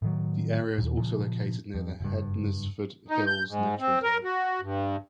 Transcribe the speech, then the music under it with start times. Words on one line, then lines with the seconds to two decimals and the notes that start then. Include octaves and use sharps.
The area is also located near the Hednesford Hills Nature Reserve.
0.02 A2 D#3 F#3
0.78 D#2 A#2
0.97 A#2 C#3 F3
1.75 F2
2.00 F#1 G2
3.08 D#4
3.27 G6
3.48 G#2
3.79 C4
4.03 A#4
4.24 F#4
4.61 G2